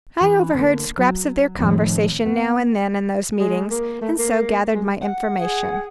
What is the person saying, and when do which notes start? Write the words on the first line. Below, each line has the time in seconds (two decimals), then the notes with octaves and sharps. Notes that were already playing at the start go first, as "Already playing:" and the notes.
"I overheard scraps of their conversation now and then in those meetings, and so gathered my information."
0.21 E3
0.55 D3 A#3
0.97 F#3
1.59 A2 D#3 F3 C4
2.26 B3
3.40 G#3
3.70 A#3
4.01 A3
4.18 A#3
4.73 G#3
5.02 F#5
5.35 G#4